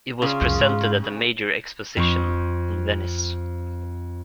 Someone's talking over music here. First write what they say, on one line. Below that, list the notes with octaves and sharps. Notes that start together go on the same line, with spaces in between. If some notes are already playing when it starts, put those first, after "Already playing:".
It was presented at a major exposition in Venice.
C#3 F4
C2 F2
G#2
F2 C4 C#6